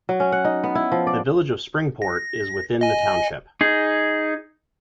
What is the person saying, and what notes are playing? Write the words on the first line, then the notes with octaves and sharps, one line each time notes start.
The Village of Springport is within the township.
F#3
C#4
F#5
D#4
B3
E4
F3
D5
A#6
D#5 G#5
D#4 G#4